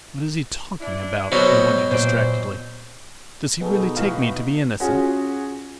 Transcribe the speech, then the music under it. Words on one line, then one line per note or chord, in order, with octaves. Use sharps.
"What is he talking about?" he wondered distractedly, "does he really take me to be innocent?"
D4 E4
B2 F#3 G3 A4 C5 D5 D#5 F#5
A#2 C5 D5
B2 B3 D#4 G#4 A4
A2 E3 F5
C#4 F4 F#4 G#4